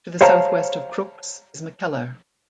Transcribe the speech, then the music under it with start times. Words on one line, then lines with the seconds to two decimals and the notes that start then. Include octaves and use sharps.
To the southwest of Crookes is McKellar.
0.21 C5 C#5 F5 A5 A#5